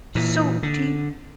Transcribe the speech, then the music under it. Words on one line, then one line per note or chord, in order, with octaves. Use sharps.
So, do you
A#2 E3
D3